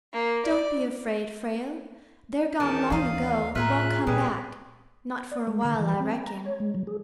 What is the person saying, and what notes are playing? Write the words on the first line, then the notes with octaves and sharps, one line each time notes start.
"Don't be afraid, Frale; they're gone long ago, and won't come back--not for a while, I reckon."
A#3
D5
E2 D#3 C#4 A#4 A5
D#2 E3 F#3 D5 D#5 F5
A2 F4 G#4 A#4 E5 F#6
A#2 G3 G#3 G#4 B4
D5
G#3
D3
E3
C4
G5
A#5
C#5
G#3
F#3
G#4